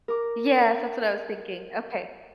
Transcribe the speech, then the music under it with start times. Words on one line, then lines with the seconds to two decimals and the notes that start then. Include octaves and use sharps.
Yes, that's what I was thinking. Okay.
0.08 A#4 D6